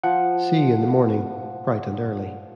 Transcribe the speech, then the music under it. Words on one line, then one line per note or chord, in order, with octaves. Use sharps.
See you in the morning, bright and early.
F3 F#5